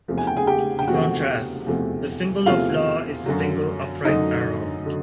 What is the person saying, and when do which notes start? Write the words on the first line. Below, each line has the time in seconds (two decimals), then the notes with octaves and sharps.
In contrast, the symbol of Law is a single upright arrow.
0.08 E2 C3 F3 A3
0.18 G#5
0.27 G5
0.37 G#4 G#5
0.47 G4 G5
0.79 G5
0.87 E2 C3 F3 A3 F#4 F#5
1.67 E2 C3 F3 A3
2.46 E2 C3 F3 A3 F4 F5
3.26 F#2 D3 F#3
4.05 F#2 D3 F#3 D#4 D#5
4.86 D3 F#3